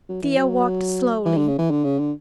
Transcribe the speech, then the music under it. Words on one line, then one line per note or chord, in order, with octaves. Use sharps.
Thea walked slowly.
F#3
E3
F#3
E3
D3
C#3
E3
D3
C#3
D3